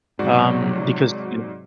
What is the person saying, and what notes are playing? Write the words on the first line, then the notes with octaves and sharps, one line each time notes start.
um, because, you know
G#2 C3 F#3 F#4 D5